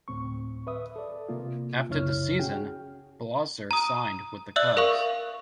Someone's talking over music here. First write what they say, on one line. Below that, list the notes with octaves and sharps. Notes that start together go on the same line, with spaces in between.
After the season, Blauser signed with the Cubs.
D2 A2 C4 C#6
B4 E5 D#6
A4 D5
C3 A#3 F4
C2 F#2 C#3 E4 C#5 F6
C#4 F#4 G#4 G5
A#5 D#6
D5 E5 E6 F#6 F#7
A#4 F5 C#6